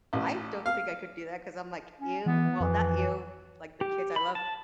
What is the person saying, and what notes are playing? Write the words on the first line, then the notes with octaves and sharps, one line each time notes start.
I don't think I could do that 'cause I'm like, "Ew." Well, not ew. Like, they're kids, I love
A1
F5
C#4
E3 B3
F2 E3
G4
B5
A5